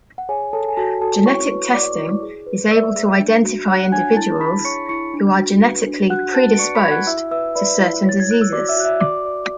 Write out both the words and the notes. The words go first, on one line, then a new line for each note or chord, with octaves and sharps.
Genetic testing is able to identify individuals who are genetically predisposed to certain diseases.
F#5
G#4 C#5 G#5
A4 C#5 A5
G#5
F#4 A4 A5
F#4 A4 A5
E4 C#5 C#6
B4
D5 D6
E4
G#4
B4
D5 E5 E6
G#4
D4
F#4
C#5 F#5 F#6
D4 G#5 G#6
E4 A5 A6
G#4 B5 B6
C#5 C#6 C#7
E4 C#6 C#7
D4
F#4
B4
D4
F#4 F#5 F#6
B4 A5 A6
D7
D5 C#6 C#7
C#7
B5 B6
F#4 G#6
F#5 F#6
E4 E5 E6
B4 E5 E6
B4 D5 B5
E4
C#5 A6
G#6
C#5 F#6
E6
F#4 D5 D6
E5 E6
F#4 F#6
E5 E6
D5 D6
D5